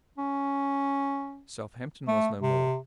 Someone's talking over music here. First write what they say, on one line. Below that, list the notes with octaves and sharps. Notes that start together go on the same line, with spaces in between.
Southampton was no more.
C#4
A3
C3